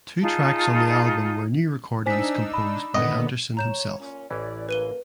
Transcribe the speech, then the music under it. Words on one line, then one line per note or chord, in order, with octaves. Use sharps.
Two tracks on the album were new recordings composed by Anderson himself.
D#4 F4 G#4 A5
D4 D#4 C5 G#5 E6 B6
B5
A#2 D3 D#3 B3 D#5
C#5 A#5 G6 E7
A#2 C#4
A1 E3 C#4 D5
F#2 A#3 B4 D#7 G7